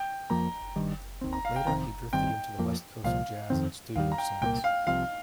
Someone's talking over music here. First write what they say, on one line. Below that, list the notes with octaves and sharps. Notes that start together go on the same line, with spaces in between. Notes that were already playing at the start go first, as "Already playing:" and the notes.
Later, he drifted into the "West Coast Jazz" and studio scenes.
Already playing: G5
F2 F3 A#3 A#5
G2 D#3 G3
D#2 D#3 C4
A#5
F5
G5
F2 C3 D#3 C4 A#5
G2 D#3 G3 C4 G5
F2 F3 A#3
C2 A#2 F3 F5
F2 D#3 C4
D#2 D#3 G3 F5
A#5
G5
C2 A#2 F3 A#3 G5
F5
C2 C3 F3 F5